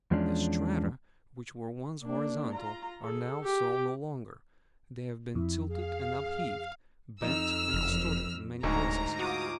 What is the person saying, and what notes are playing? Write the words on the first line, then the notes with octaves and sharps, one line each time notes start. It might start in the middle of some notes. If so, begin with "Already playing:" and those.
The strata which were once horizontal are now so no longer--they have been tilted and upheaved, bent and distorted, in many places.
E2 F3 G#3 C#4 D4
A#3 D4
F4 A#5
G#4 A4
G4
F2 E4
G#4 F5
F2 D#4 E6 F6
F#1
D1 D2 G#2 A#5
F4 F#4 D6 D#6